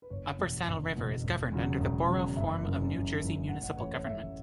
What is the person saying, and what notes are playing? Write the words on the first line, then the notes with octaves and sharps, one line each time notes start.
Upper Saddle River is governed under the Borough form of New Jersey municipal government.
B4
F#1 C#5
E2 B2
F#1
E2 B2
E1
E2 C#3 F#3
E1
E2 C#3 F#3
F#1 E5
F#2 C#3 E3
F#1
F#2 C#3 E3
A1 F#5
F#5
A2 E3 C#5
C#5
A1 E5